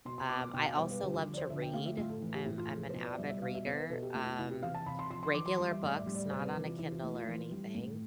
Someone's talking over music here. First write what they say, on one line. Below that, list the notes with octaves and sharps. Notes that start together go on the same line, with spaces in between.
Um, I also love to read. I'm I'm an avid reader, um, regular books, not on a Kindle or anything.
B2 C6
C6
B3 D6
D6
B2 G5
F5
G3 C5
B4
D3 G4
F4
F3
D5
C5
D3 E5
G5
A3 F5
E5
A2 F4
A4
E3
G4
A2 E4
F4
F3 A4
B4
C5
B2 B4
D5
G3 E5
E5
B2 F5
E5
B3 C5
B4
B2 A4
G4
A3 F4
F4
C3 E4
G4
E3 F5
A5
C3 B5
C6
F3 C6
C6
E3 D6
C6
G3 C6
E5
A2 D5
E5
G3
D5
C3 C5
B4
E3
F4
E3 E4
F4
A3 E4
F4
E3
G3
A2